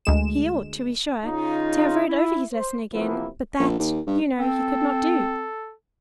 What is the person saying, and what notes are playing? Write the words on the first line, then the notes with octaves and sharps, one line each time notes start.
He ought, to be sure, to have read over his lesson again, but that, you know, he could not do.
D2 G#3 E7
C#3 D#4 F4
E4
C5
C3 E3 F3 A#3 B3 E4
A#1
D#2
G2
C4 A4